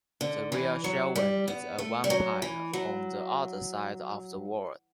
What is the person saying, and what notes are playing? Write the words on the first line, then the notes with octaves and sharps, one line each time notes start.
The real Shevaun is a vampire on the other side of the world.
D3
E3
F#3
G3
B3
A3
G3
F#3
E3
F#3